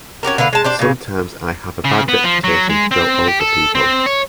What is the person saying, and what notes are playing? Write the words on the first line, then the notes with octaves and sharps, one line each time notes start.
Sometimes I have a bad reputation to go over people.
C#4 F#4 G4 A#4
D3 A#3 B4 F5
G#3 A5
D4 G4 C5
A#2 C#3
C#3
B3
F3
F#3
G#3
C4
G4
A4
C4
C#5